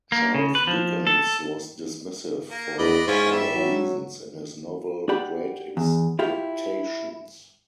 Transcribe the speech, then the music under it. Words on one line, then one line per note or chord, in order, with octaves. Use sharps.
Charles Dickens was dismissive for other reasons in his novel "Great Expectations".
A#3
C#3
B4
F3
A4
A#3
E2 B4 D5 D#5
G#2 C#4 E4 F4
G3 E5
F#3
G4 D5 F#5 B5
E2
E4 F4 G4 F5